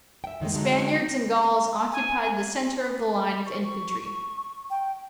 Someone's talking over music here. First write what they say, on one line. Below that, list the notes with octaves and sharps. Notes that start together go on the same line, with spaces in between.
The Spaniards and Gauls occupied the centre of the line of infantry.
E5 G5
F#2 D#3 F3 G#3
D3 F#3 G#3 D#4
G#5
C#6
G5